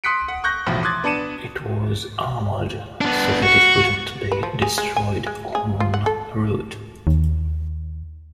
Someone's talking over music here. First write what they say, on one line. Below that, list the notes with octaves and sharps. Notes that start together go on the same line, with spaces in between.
It was armoured so that it couldn't be destroyed en route.
C6 D#6 F#6 B6 C#7 D7
F#5
C#6 F#6 G6 A#6
B1 E2 A2 F3 E4
C6 D6 D#6 F#6 G#6 A6
B3 D4 A5 C#7 D#7 E7
B3 D4
F#4 C#6
B4
F3
G#4
G#3
G#5
G#3
G#4
F4
F#5
A4
D#2